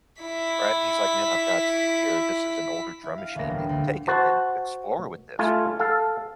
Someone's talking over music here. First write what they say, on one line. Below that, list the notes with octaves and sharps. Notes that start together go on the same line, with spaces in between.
Right? He's like, "Man, I've got here, this is an older drum machine and Take it and explore with this."
E4 B6
E4
F5
E1 A1 D2 A#3 B3 A#6
G3
D2
F#4 C5 A5
A3 F4 G#5
A4 F5